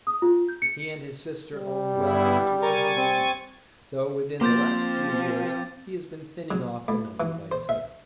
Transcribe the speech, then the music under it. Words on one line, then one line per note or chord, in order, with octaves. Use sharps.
He and his sister own well on to one hundred head, though within the last few years he has been thinning off the number by sale.
D#6
F4
G6
C#7
G3
G2 B3 E4
A#4 G#5 C#6 A6
C4
F3 A#3 C4 C6 D6 G6 A6
F#3
A2
E3
C5
E5